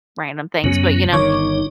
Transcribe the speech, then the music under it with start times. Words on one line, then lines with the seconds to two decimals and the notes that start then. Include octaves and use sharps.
random things, but, you know,
0.64 F#2 C#3 F#3 B3 C#4
1.12 G1 D#3 D#4 C#5 D6